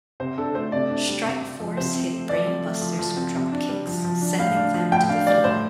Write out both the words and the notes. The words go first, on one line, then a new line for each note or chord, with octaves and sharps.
Strike Force hit Brain Busters with dropkicks, sending them to the floor.
C3 C5
D4 A4
A3 C5
C3 D5
D4
G3
C3
C4
F3
C3 C5
C4
A3
F3 D5
C4
A3
F3
F3
C4
C3
D4
G3
F3
F3
D4
A2 F5
D4
F3
A2 G5
D4 F5
G3 D5
A2 C5